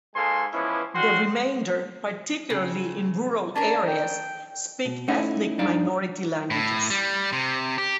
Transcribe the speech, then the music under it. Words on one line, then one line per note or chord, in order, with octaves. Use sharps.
The remainder, particularly in rural areas, speak ethnic minority languages.
G#2 G#3 A#3 A4 G#5 C6
E3 F3 G#3 B3 C#4 E4
D3 F#4 F5 G5 C6
C#3 C4
C#4 D4 A#4 A5
G5
B2
A3 C#4 D#4 E4
G2 D4 D#4 D5 F5 A#5
A2
G3
C3
G4